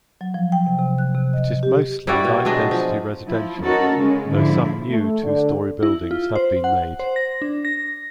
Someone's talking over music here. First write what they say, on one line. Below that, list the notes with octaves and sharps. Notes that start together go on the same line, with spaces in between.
It is mostly light-density residential, though some new two-storey buildings have been made.
F#3
F3
G5
C3
C3
F#6
C3
D#5
G4
G3 E4 F#4 D5
B2
F#3 G#3 D4 D#5
F3
F3 E4
C#4 D#4 F#4 A4 A#4
C#3 G#3 C#4
G#2 D3 F3 E4
A3
D3
E4
F4
C5
F#5
C5
A#6
D4
A#6